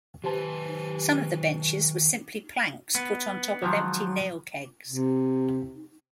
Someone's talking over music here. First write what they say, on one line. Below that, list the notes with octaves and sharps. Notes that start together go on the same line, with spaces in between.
Some of the benches were simply planks put on top of empty nail kegs.
D#3 G4 B4 C5 A5
B3
D#3 F3 F#3 G#3
C3